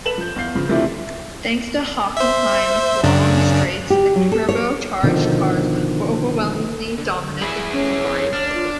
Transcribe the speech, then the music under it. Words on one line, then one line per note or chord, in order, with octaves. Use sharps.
Thanks to Hockenheim's long straights, the turbo-charged cars were overwhelmingly dominant in qualifying.
A4 B4 E7 F#7
F3 G6
E2 F5 G6 C7
C#3 F3
C3 E3 F3 A3 D4 E4
C5 E5
F#2 C#3 D4
G4
F#3
A4
C#5
B2 D3 D#3 F3
D3
E4 G#4 B5
C#4 C#5
D4 F6
F4